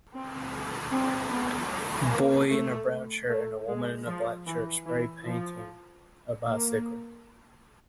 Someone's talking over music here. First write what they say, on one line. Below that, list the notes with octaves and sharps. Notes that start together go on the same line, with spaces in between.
Boy in a brown shirt and woman in a black shirt spray painting a bicycle.
C4
C4
B3
A#3
A3
A3
G#3
F3
E3
E3
F3
A#3